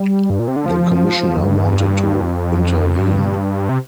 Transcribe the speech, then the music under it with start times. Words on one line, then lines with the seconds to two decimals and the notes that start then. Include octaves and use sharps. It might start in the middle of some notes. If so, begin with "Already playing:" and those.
The commissioner wanted to intervene.
Already playing: G3
0.30 G2
0.39 A#2
0.48 C3
0.56 D3
0.66 F3
1.37 F2
1.43 G2
2.22 F2
2.99 G2
3.69 C3